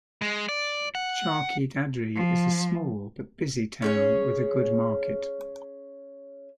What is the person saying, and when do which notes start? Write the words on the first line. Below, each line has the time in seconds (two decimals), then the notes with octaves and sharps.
Charkhi Dadri is a small but busy town with a good market.
0.22 G#3
0.49 D5
0.95 F#5
2.15 F3
3.82 C#4 G#4 C#5